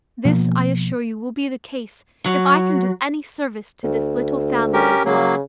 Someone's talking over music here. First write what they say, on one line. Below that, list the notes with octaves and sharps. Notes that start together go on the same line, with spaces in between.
This, I assure you, will be the case, if I can do any service to this little family of love.
B2 F3 A#3
F#3
D2
C#4 G4 A#4
C#3 F#3 A#3